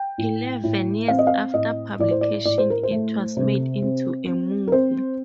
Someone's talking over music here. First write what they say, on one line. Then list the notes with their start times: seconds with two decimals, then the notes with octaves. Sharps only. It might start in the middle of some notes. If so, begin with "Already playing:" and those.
Eleven years after publication it was made into a movie.
Already playing: G5
0.18 A2
0.64 A2
1.08 C4 F5
1.19 D#5
1.27 F5
1.54 A2 D#5
1.99 A2 D5
2.11 C5
2.21 D5
2.45 A2 D5
2.58 C5
2.70 A#4
2.83 C5
2.91 A3
3.37 C3
3.82 C4
4.27 C4
4.68 A#4
4.72 C4 C5